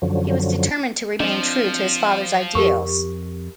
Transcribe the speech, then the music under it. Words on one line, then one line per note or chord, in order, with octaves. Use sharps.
He was determined to remain true to his father's ideals.
F#2 D3 F3 F#3
F3 C4 D4 D#5
F2 G4 A#4 C#6